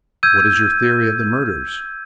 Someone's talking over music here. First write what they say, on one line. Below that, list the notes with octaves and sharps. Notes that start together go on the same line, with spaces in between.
"What is your theory of the murders?"
E6 G6 G#6 D#7